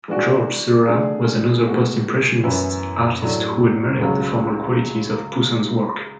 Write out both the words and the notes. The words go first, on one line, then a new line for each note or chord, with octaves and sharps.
Georges Seurat was another Post-Impressionist artist who admired the formal qualities of Poussin's work.
E3 G#3 D4 F#4
D3 A3 D4 G#4
A2 G#3 B3 F#4
F#2 E3 B3 E4
A2 F#3 A3 D4
C#2 C#3 F#3